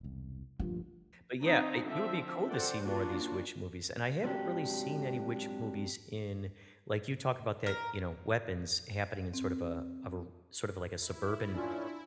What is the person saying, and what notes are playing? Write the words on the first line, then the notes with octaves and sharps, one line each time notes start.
But, yeah, I it would be cool to see more of these witch movies, and I haven't really seen any witch movies in like you talk about that, you know, weapons happening in sort of a of a r sort of like a suburban
E1 C2
D2 G2 A#2 F3
C4 D4 D#4 A#5
D3 F3 C4 E5
A4 C5 D5 F#5 G5
A#3 C#4 D4 F4 F#4
G#2 F#3 C4 D4 F#4 G4
A#4
C4
E4
A#2 C#4 D4 F4